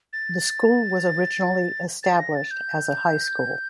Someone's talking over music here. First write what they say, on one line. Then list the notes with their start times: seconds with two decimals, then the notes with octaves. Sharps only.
The school was originally established as a high school.
0.13 A6
2.03 A6
2.20 A#6
2.35 A6
2.51 G6